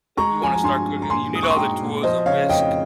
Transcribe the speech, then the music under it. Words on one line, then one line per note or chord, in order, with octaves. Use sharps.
If you wanna start cooking, you need all the tools, a whisk,
G#3 A#5 C#6
F3 G#5
A#5
G2 G#5 C6
G2
A#5
A#2 G#5 C6
G#3 D#6
C#6
C6
G#3 G5 A#5
A#2
F3 C5 D#5
C#3 C#5 F5
F2 D#5 G5